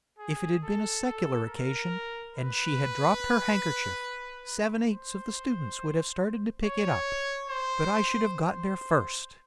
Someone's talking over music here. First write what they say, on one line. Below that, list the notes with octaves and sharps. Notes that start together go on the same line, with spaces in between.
If it had been a secular occasion, and she had dropped her handkerchief, seven-eighths of the students would have started to pick it up--but I should have got there first!
G#4
A4
A4
A#4
B4
C5
C#5
C5
C5